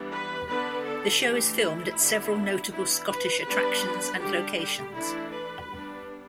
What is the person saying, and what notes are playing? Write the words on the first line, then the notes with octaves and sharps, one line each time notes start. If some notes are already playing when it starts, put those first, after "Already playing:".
The show is filmed at several notable Scottish attractions and locations.
Already playing: E3 G3 B3 D4
B4
D3 B3 D4 B4
A4
E3 A3 D4 G4
E4
D3 G3 B3 D4
E3 B3 D4 E4
B4
G3 B3 D4 B4
D3 G3 D4 G4
G4
E3 A3 D4 E4
B4
G3 B3 D4